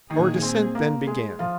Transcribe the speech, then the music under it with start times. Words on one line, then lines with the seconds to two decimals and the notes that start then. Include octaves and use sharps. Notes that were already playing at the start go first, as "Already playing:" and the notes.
Our descent then began.
0.10 A#2 D#3 A#3 D#4 G#4
0.42 C4
0.75 A#3
1.07 G#3 G#4
1.39 F3 F4